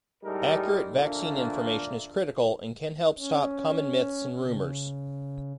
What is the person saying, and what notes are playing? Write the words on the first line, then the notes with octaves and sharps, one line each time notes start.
Accurate vaccine information is critical and can help stop common myths and rumors.
A2 G3 G#3 D#4 A4 A#4
A#2 D3 F3 A3 A#3 D4
C#4
C#3